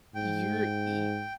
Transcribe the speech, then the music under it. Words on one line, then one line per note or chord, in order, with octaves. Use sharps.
you're y
G#2 G5